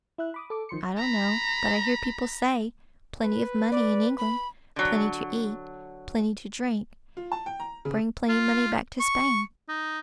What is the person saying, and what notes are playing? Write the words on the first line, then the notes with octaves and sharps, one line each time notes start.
"I don't know, but I hear people say, plenty of money in England--plenty to eat--plenty to drink; bring plenty money back to Spain."
E4 E5 F#6
B5 D6 D#6
A4 D6
D#3 F3 C6 C#7
A#5 B5
B4
D5
B5
D3 F#3
F4
A5
G5
A#5
C#3
F4
C#6
D#4